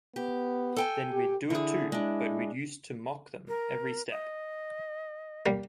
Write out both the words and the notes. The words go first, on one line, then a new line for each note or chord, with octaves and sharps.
Then we'd do it too, but we used to mock 'em every step.
B3 G4
A4 G5 G#5
G4
D3 E4 G#4
G#3 D4 E4
A#4
D#5
G3 A#3